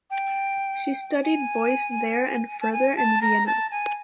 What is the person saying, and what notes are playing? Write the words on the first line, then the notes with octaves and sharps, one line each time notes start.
She studied voice there and further in Vienna.
G5
G#5
A5
G#5
A5
A#5
A5
G#5